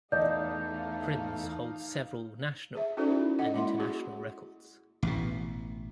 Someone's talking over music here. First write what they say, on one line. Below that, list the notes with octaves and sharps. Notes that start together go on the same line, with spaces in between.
Prinz holds several national and international records.
E2 A3 D#4 D5 D#5 F5 G6
G#4 E5
C#4 D#4 F#4 A4 C5 D5
E4
A4 D#5 F#5
G#3 A#3 E4 F#5 C6
F#4 G#4
A1 B2